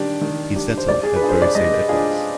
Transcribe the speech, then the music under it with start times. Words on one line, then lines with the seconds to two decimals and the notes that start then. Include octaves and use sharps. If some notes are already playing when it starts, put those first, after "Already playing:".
He settled at Bury Saint Edmunds.
Already playing: D#3 G3 D4 G4
0.21 D#3
0.55 G3 D4 G4
0.78 C5
0.88 G3 D5
1.03 G#4
1.16 B4
1.21 D4 F4 G#4
1.29 C5
1.42 D5
1.55 G3 D#5
1.89 D4 F4 G#4